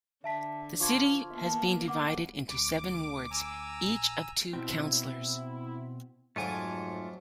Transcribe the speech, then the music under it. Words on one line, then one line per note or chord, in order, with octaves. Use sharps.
The city has been divided into seven wards, each of two councillors.
D3 E5 A5 B6
F3 F4 F5 C#6 D6 G#6
A#3 B3 E5 A5
F#5 D6
D2 D6
G#5 A#5 E6
A#1
B2 C4 E4
F2 G#2 F#3 A3 F4 G#5 D6